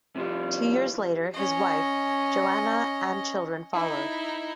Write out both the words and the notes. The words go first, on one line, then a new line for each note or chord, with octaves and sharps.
Two years later, his wife Johanna and children followed.
C3 F3 G3
C#4 D#5
D#4 E4